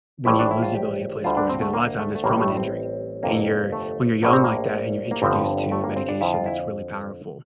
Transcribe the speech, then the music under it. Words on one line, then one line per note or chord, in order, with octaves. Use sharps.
when you lose the ability to play sports. Because a lot times that's from an injury. And you're when you're young like that and you're introduced to medication that's really powerful.
A#1 A2 E3 G3 E4
D4
E4
F4
G4
D2 D3 G3 F4
D4
C4
A3
A#3
A3
A3
A1 A2 G3 A#3
A3
D4
C4
G1 F2 C3 A#3
A3
A#1 A2 F3 A#3
C4
A#3
A#3
G1 G2 D3 F3 C4
A3
A#3
C4
D4
F2 D3 F3 E4
F4
E4